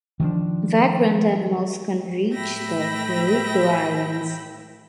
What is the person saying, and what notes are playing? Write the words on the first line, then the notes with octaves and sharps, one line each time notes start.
Vagrant animals can reach the Ryukyu Islands.
D#3 F3 A#3 D4
A2 A3 E5 G5 B5 A#6